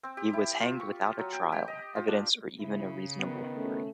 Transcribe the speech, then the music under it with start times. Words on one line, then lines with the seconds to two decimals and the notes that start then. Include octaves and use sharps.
He was hanged without a trial, evidence or even a reasonable theory.
0.03 C4
0.17 G4
0.33 E4
0.60 F4
0.80 C#6
1.01 G4
1.19 F#3
1.33 G5
1.52 G4
1.68 D#5
1.96 F4
2.08 D4
2.60 C#3 E4
3.19 D#3 B3
3.55 A3 C#4